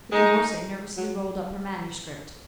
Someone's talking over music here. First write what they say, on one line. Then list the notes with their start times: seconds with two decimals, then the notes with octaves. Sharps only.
The Divorcee nervously rolled up her manuscript.
0.12 G#3 D#4
0.97 F#3